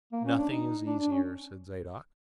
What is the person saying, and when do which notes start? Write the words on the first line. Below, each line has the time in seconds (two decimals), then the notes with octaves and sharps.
"Nothing is easier," said Zadok.
0.13 A#3
0.25 C#4
0.38 D4
0.50 D#4
0.87 D4
1.00 D4
1.12 C#4